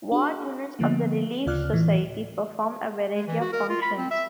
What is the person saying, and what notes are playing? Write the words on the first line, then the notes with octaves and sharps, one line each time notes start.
Ward units of the Relief Society performed a variety of functions.
D4 F#4 G#4
D3 F3 A#3 B3
D2 C#3 F4 D5 F6 F#6
A2 E3
G#3
E3
F#4
A#4
F4
B5
C4
E5